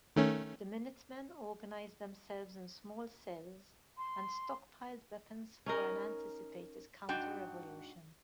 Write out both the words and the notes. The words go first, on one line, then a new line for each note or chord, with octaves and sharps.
The Minutemen organized themselves into small cells and stockpiled weapons for an anticipated counter-revolution.
D#3 A3 C#4
C6
C#4 D#4 A#4
G#2 D4 F#4 G5